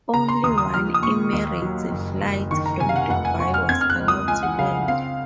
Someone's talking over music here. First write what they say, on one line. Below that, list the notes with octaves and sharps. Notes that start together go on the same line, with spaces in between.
Only one Emirates flight from Dubai was allowed to land.
C#3 A#5
C6
D#2 D#6
D#6
F3 F6
D#6
A#2 C#6
D#2
F#3
F#1
F#1
D#3 C#6
A#5
C3 G#5
F5
F#5
F1 F#5
G#5
F1 C#6
F6
C4 G#6
F6
F#6
C#2
D#6
C#2 G#5
F#5
C#3 F5
C4 F5